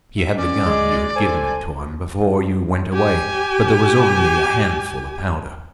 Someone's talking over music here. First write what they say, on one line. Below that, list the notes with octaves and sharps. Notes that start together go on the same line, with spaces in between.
He had the gun you had given him, Tuan, before you went away, but there was only a handful of powder.
E5
C#2 C#4 D5
G#3
A4 C5 G#5
G4 G#5